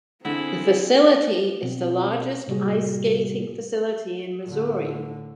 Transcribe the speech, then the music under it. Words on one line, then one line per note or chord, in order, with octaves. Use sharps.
The facility is the largest ice skating facility in Missouri.
D3 C4 E4 G#4
B2 C4
A2 C3 G3 A#3 F#4 G#4
A2 D3